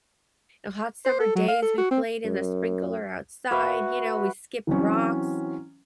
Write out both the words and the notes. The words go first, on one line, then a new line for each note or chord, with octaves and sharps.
on hot summer days, we played in the sprinkler outside, you know, we skipped rocks,
C5
A4
F#3
F5
A4
F#4
C4
F#2
F#4 B4 E5
E3 F#3 C4 C#4